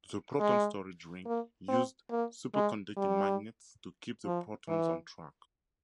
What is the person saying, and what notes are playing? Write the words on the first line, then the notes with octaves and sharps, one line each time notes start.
The proton storage ring used superconducting magnets to keep the protons on track.
G#3
A#3
C4
A#3
G#3
G3
F3
E3